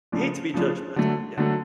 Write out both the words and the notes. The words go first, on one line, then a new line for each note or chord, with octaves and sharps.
Hate to be judgmental yeah.
C#3 F3 A3 D4 F4
C#3 F3 A3 D4 F4
D3 F#3 A3
D3 F#3 A3